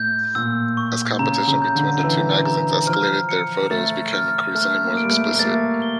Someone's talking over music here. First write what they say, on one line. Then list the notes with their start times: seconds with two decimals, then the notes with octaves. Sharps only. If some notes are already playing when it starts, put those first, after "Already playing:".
As competition between the two magazines escalated, their photos became increasingly more explicit.
Already playing: A2 G6
0.35 A#2 E6
0.77 C#6
1.19 C#3 A#5
1.48 C#3
1.62 G6
1.75 D3
2.03 E3 E6
2.46 A#5
2.87 F3 F6
3.29 C#7
3.71 A3 A6
4.13 F6
4.55 A3 F6
4.84 A#3
4.97 D7
5.05 G3
5.11 A3
5.34 A#3
5.39 A3 A6
5.82 G7